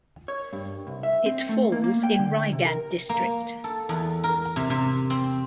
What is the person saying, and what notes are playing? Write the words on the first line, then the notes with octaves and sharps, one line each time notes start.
It falls in Raigad district.
C#5
G2
C2
E5
C4
A3
A#3
A#3
G5
D3
C3
A#4
A#3
A4
E2
A#4
C3
C3
C4